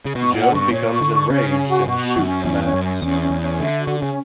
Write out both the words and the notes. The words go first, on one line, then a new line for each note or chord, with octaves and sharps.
Joe becomes enraged and shoots Max.
C#3
B2 C#6
A#2 F#5
G2 C#6
A#2 C#5
C#6
D3
C#6
C#3 C#4
C#4
F#4
B2 F#4
F#4
F#2
C#4
E2 C#4
C#4
F#2
C#4
E2 C#4
C#4
E2
C#4
D3 E5
F#4
D3
C#3 C#4